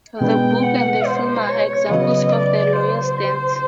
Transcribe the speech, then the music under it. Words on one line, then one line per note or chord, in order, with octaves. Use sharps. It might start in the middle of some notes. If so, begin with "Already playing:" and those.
The book and the film are examples of the lawyers' dance.
B2 G#3 B3 D4 G5
F#5
C5
C#5
C#3 F#3 B3 D#5
D5
C5